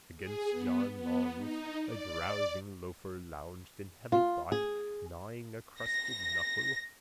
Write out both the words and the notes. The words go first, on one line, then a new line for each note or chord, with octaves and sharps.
Against John Long's a drowsing loafer lounged in heavy thought, gnawing a crusted knuckle.
G#4
B3
B3
D#4
D5
F4
G#4
A#6